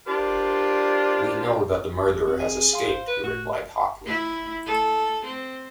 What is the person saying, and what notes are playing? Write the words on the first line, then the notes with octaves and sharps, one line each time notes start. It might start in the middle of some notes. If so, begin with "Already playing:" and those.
"We know that the murderer has escaped," he replied hotly.
D4 F4 G4 A#4 C5 D5
C4 F#4
G#4
F5 C6
C5
B4
A2 F#4
E4
A4
C4